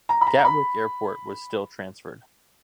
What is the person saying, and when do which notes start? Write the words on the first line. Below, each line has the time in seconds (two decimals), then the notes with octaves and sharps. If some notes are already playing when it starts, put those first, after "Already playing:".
Gatwick Airport was still transferred.
0.09 A#5
0.21 B5
0.27 A#5
0.39 A#5
0.45 B5